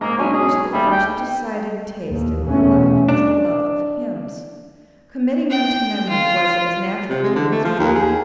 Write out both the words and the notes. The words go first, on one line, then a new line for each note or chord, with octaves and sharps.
ALMOST the first decided taste in my life was the love of hymns. Committing them to memory was as natural to me as breathing.
G#2 A#3 D#5 A#5
B2 F#3 G#3 C#4
G#4
D#2 G3 A3
G5
D#2
E2 B2 A3 C#4
D4
G5
F4
C3
G#3
D3
A3
F3
D#2
G#4